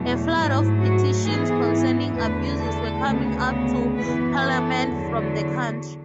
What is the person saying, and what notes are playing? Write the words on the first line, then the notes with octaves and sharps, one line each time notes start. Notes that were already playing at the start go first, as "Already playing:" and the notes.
A flood of petitions concerning abuses were coming up to Parliament from the country.
Already playing: E2 B2 F#3 A3
G#2 F#3 A3 E4
F#4
G#2 E3 B3 G#4
E2 D3 A3 B4
A4
D2 C#3 G#3 B3
F#2 E3 B3 B4
A4
E2 D3 F#3